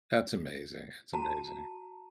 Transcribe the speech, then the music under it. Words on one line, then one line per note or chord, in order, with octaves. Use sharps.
That's amazing, that's amazing.
F#4 A5 A#5